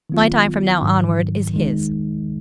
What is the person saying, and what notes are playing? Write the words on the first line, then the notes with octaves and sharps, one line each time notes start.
My time from now onward is his.
D#3 F#3 B3 F4
G#2 D#3 F#3
D#3 G#3 D#4